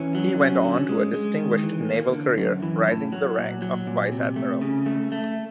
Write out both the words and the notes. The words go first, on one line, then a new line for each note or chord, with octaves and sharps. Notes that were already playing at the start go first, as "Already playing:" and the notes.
He went on to a distinguished naval career, rising to the rank of vice-admiral.
Already playing: E3 C#4
F#3
C#4
D3
G#3
G#3
D#3
E3
A#3
D3
F#2
E3
A2
F#3
A#2
F#3
A#2
C3
A3
C#3
A3
A3